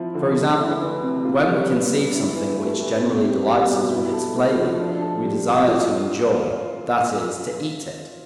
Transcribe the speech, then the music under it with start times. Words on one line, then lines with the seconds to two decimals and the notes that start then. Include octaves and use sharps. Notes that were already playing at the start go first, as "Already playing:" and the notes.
For example, when we conceive something which generally delights us with its flavour, we desire to enjoy, that is, to eat it.
Already playing: F3 C4 E4
0.15 D3
0.36 A3
0.59 E4
0.81 E3
1.02 C3
1.25 F4
1.47 G3
1.69 B3
1.92 G3
2.14 E4
2.35 E3
2.58 A3
2.80 E3
3.02 C4
3.24 G4
3.46 G3
3.68 B2
3.91 E4
4.13 A4
4.35 A3
4.57 F3
4.80 D4
5.02 A4
5.23 G3
5.46 C3
5.68 F4